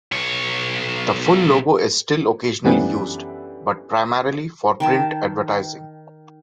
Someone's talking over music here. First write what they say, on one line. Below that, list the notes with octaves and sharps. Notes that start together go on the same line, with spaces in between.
The full logo is still occasionally used, but primarily for print advertising.
B1 C#5
F#2 E3 G3 A3 B3 D4
D#3 G5 A5